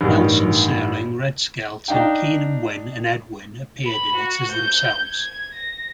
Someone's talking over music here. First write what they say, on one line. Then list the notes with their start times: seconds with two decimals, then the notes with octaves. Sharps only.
Nelson, Serling, Red Skelton, Keenan Wynn and Ed Wynn appeared in it as themselves.
0.01 A1 G2 D#3
1.88 D4 D#4 F5 G5
3.85 B5
4.16 F#4
4.51 G6
5.04 G#6
5.53 A#6